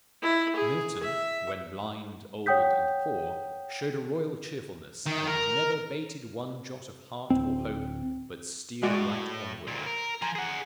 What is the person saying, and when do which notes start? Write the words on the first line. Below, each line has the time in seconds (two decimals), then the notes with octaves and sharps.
Milton, when blind, old and poor, showed a royal cheerfulness and never "bated one jot of heart or hope, but steered right onward."
0.22 E4
0.56 G#4
1.03 E5
2.46 C#5 F#5 G5 D#6 G6 B6
5.06 D#3
5.27 A#4
7.30 D1 C4
8.83 A2 G#3 F#4 D5
9.67 D2 A#2
9.86 A#4
10.22 F3 G#5 A#5
10.35 G#4 F#5